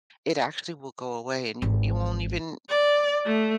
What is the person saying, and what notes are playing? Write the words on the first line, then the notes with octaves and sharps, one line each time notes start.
it actually will go away, and you w you won't even
G#1 E3
D5
A3